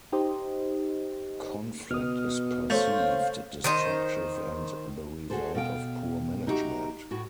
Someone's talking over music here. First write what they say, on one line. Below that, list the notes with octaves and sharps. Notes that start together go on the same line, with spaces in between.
Conflict is perceived destructive and the result of poor management.
D#4 G4 C5 D#5
B2 D#6 F6
A3 C5 C#5 F5 G6
D#3 C5 D#5
F#4 G#4 A4 C5
B2 F5 G5
D#4 E4 F#4 G4 E5 A#5
A2 F#4